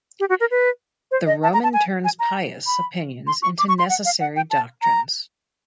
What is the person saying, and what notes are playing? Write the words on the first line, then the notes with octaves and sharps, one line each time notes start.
The Roman turns pious opinions into necessary doctrines.
G4
F#4
A#4
B4
C5
D#5
A5
A#5
A5
G#5
G#5
A#5
B5
C6
C#6
D6
C#6
C6
F#5
F5
F#5
G5
A5
A#5